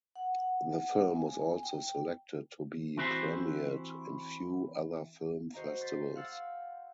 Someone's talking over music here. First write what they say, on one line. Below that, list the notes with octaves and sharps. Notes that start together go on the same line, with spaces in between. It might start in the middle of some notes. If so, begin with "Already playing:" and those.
The film was also selected to be premiered in few other film festivals.
F#5
F#5
G#5
G5
E3 C4 E4 F#4 G4 C5
F#4 C5 D#5 A#5
C6 G6 A6 B6
F5 F#5 E6 A6